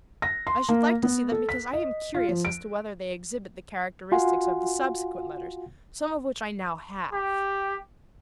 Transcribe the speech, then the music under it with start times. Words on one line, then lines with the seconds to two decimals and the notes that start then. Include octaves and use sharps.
I should like to see them because I am curious as to whether they exhibit the characteristics of the subsequent letters, some of which I now have.
0.22 A#6
0.47 C6
0.69 A#3
1.03 B3
1.32 A4
1.49 B6
1.73 D#5
2.14 F4
2.29 F3
2.45 D7
4.12 F4 F#4 F5 F#5 G#5 C6
7.13 G4